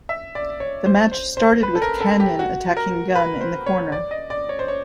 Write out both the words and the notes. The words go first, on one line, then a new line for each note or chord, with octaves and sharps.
The match started with Kanyon attacking Gunn in the corner.
E5
D5
C#5
C5
C5
C5
B4
A4
A#4
A4
G4
F#4
A#4
B4
C5
C#5
D5
D#5
D5
C#5
C5
C#5